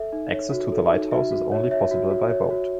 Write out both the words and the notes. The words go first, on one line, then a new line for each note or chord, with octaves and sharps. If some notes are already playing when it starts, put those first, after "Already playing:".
Access to the lighthouse is only possible by boat.
Already playing: A4 E5
D#4
C#5
F#4
A4
D#4
F#4 E5
F#4
C#5
C#5 E5
F#4
F#4
C#5
F#4